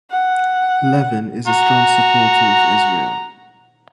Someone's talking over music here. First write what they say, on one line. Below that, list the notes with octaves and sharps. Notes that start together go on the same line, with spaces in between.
Levin is a strong supporter of Israel.
F#5
F#4 A#5